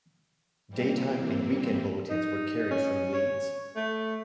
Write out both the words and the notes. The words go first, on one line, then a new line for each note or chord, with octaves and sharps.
Daytime and weekend bulletins were carried from Leeds.
E3 G3 A#3 C4
D#4
C#4
C#5
A3